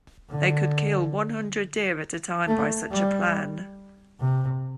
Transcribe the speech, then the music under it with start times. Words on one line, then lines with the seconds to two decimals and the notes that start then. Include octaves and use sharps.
They could kill one hundred deer at a time by such a plan.
0.30 D3
2.47 A3
2.91 G3
4.20 C3